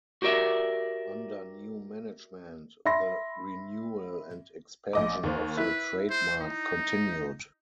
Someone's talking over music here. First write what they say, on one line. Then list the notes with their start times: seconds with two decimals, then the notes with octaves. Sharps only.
Under new management the renewal and expansion of the trademark continued.
0.22 F#4 G4 A#4 D5 E5
2.85 E5 B5 C6 A#6
4.93 A#1 D#5 D6
5.23 D#2 C5
5.57 E4 B4
6.10 C5
6.41 D#4